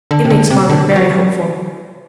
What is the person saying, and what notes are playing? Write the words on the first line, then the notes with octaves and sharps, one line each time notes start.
It makes Margaret very hopeful.'
D3
C3
D3
C3
D3
F#3